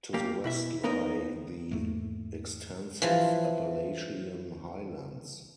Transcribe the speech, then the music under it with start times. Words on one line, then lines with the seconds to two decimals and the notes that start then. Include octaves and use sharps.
To the west lie the extensive Appalachian highlands.
0.14 A#3 G4
0.44 B2 E4 E5
0.84 D#2 B3 D#4 A#4 D#5
1.71 E2 G#2 A3 A#3
3.02 E3 F3